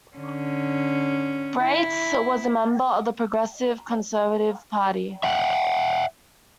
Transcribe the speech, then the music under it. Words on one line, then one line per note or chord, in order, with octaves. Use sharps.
Baetz was a member of the Progressive Conservative Party.
D3 C#4
E4
E5 F#5 G5